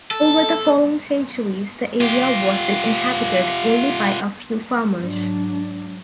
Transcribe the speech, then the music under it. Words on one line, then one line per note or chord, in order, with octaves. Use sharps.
Over the following centuries, the area was then inhabited only by a few farmers.
A4
F4 G4
G#2 F#3 D4